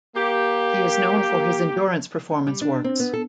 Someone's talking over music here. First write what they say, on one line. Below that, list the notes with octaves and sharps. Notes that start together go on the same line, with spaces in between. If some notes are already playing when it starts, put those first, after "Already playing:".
He is known for his endurance performance works.
A#3 G4
G3
D4
C4
B3
A4